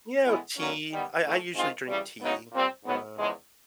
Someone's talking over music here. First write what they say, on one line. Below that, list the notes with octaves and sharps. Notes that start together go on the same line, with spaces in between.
You know, tea. I I usually drink tea, um
A2 E3 G#3 B3 E4
F#2 D3 F#3 A#3 C#4
D#3 G3 B3
C#3 E3 A3
G#2 D#3 G#3 C4 F4
C#3 E3 G3
D2 C#3 F#3 B3 D#4
A#2 G3 C4
G#2 D#3 F#3 B3
E2 C#3 F3 G#3